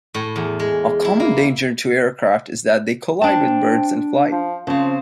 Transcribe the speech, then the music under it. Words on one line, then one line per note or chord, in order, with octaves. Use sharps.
A common danger to aircraft is that they collide with birds in flight.
A2
E2
G#3
E4
A#3
C4 D4 A5
F3
C#3 F3 C4